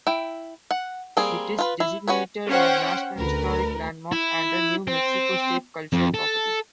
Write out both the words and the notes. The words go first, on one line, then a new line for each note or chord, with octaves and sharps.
It is designated a National Historic Landmark and a New Mexico State Cultural Property.
E4 G5
F#5
G3 A#3 C4 G#4
F4 B4
E4
C#4 F#4 B4 C#5
C#4 C5 F#5 G5
D2 A#4 B4
E4
C4
F2
A4